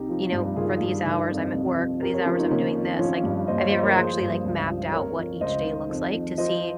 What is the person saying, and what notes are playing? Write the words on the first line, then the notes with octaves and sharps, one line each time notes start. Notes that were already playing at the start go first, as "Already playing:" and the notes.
you know, for these hours, I'm at work. For these hours, I'm doing this," like, have you ever actually, like, mapped out what each day looks like to see
Already playing: C2 D#4 G4
F3
G2
D#3 F4 G#4
G2
D#3
F2
C2
F3
F2 G4 A#4
A#4 C#5
F3 C#4 F4
C4 D#4
D#3 A#3 C#4
F2
F3 C#4 F4
G2
D#2 C5 D#5
C#5 F5
F3 C5 D#5
A#4 C#5
F3 G#4 C5
G2
C#2
F3
F2 A#4 C#5
F3
C#2 C5 D#5
D#3
F2
F3
F3 C5 D#5